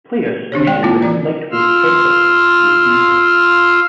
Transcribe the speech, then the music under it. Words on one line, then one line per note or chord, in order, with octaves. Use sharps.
Players usually wear lightweight head sensors to receive hits.
D#3 D4 G4 C#5
G#3 D5 G5
A#3 C4 E4 F4
E3 D5 A#5
F4 C6 E6 F6